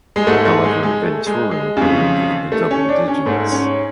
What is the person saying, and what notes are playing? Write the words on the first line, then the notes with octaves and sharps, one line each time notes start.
However, Ventura polled in the double digits.
G#3
G#2 A3
A3
G#3
G#3
A3
G#3
G#3
F2 C#3
A3
C#4
D4
C#4
G#2 A3
C#4